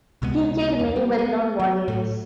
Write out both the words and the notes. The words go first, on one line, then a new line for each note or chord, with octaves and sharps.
He killed many well-known warriors.
C#2 C3 G#3 B3
E2
G3
B3
F#3
A2 A3